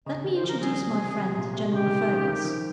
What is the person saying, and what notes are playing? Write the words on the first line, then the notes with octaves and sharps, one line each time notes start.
Let me introduce my friend, General Fergus.
C#3 D#5
D#3
C5
F3 A#4
G3 G#4
C3
C3
A#2
C3
C#3 G4
D#3
C3
C#3
D#3
F3